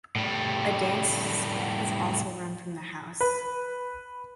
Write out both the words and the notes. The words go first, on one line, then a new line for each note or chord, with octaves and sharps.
A dance school was also run from the house.
A2 G3
B4